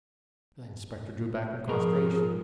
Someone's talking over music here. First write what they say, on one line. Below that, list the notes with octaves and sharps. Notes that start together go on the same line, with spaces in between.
The inspector drew back in consternation.
G#2 F3 G#4 A#4